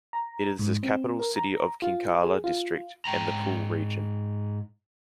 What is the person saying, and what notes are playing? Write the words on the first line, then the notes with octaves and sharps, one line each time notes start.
It is the capital city of Kinkala District and the Pool Region.
A#5
G#2
C4
A#4
A#5
F4
G#4
F4
G#2 G5 A#5